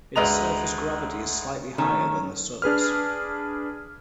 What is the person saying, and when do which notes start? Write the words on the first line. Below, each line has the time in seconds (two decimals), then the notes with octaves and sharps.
Its surface gravity is slightly higher than the Sun's.
0.16 D2 G#3 B4 D#5 A#5 F7
1.78 D#3 A3 C#4
2.62 D4 G#4 B4 F6